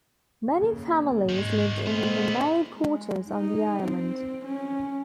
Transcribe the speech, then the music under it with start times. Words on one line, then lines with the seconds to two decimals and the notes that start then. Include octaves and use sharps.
Many families lived in the married quarters on the island.
0.52 D#2 C#3
1.29 G#2 D#3 G#3
1.86 A#2 D3 G#3 B3 C4 F4
2.74 G#3
3.29 D#4
3.83 C4
4.45 C#4